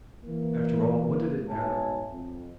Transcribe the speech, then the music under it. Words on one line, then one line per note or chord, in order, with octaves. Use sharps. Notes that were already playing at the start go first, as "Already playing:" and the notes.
After all, what did it matter?
E3 A#3
G#2 B2 C#5 E5 G#5 A5
F2